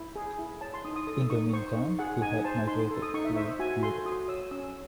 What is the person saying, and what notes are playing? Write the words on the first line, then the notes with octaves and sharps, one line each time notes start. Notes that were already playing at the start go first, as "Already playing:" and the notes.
In the meantime, he had migrated to Europe.
Already playing: E4
G#4
E4
C#5 A5
C6
D#4 D#6
D#6
A4 D#6
D#4 C#6
C5 C#6
D#4
G#4 F#5
D#4 G#5
C5 A5
D#4 C6
A4
D#6
D#4 C#6
E5
C5 E5
F#4 G#5
A4 C6
F#4 D#6
C#5 E6
C#4 E6